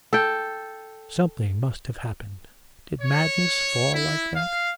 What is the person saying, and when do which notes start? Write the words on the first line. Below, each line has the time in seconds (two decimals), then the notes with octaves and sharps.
Something must have happened. Did madness fall like that?
0.13 A4 G5
3.01 C#5
3.94 E4
4.35 F5